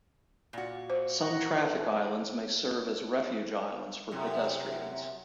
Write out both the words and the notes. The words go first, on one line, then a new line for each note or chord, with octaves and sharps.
Some traffic islands may serve as refuge islands for pedestrians.
A#2 F#4
C5
F#5 A#5 C#6
E3 A3
F#2 C3